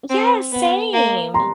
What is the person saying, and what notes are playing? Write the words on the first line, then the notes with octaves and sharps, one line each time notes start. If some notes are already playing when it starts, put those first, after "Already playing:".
Yeah, same.
C4
B3
A#3
A#5 C6